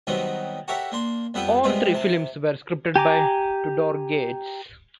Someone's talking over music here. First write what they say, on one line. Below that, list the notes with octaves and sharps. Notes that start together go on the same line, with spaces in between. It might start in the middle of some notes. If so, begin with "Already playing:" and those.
All three films were scripted by Tudor Gates.
D#3 F#3 G3 B3 C4 D#4
F#4 G4 A4 A#4 C#5 E5
A#3 D4 C6
F2 G3 B3 A4 B4 G5
C3 G3 G#3 B3 C4 F4
C3 A5
G4 G#5 A#5 D6